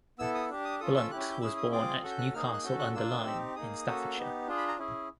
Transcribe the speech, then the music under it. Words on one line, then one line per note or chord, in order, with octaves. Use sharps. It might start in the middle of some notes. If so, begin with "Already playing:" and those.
Blunt was born at Newcastle-under-Lyme in Staffordshire.
B3 E4 A4 E6
D#6
D4 G4
D#6
C#4 F4 A4 D#6
E6
C#4 E4 G4 F#6
F#6
G6
C#4 E4 G#4 E6
D#6
C4 F4 G#4 D6
C#4 F#4 A4
G6
F#6
A#3 D#4 G#4 F6
G6
F#6
C#4 F#4 A4 G6
F#6
A#3 D4 F4 E6
C4 D#4 G4
A#3 D#4 G#4 D#6
A#3 C#4 F#4 A4
B3 D#4 G4
D4 F4 G#4
B5
A#5
C#4 E4 G#4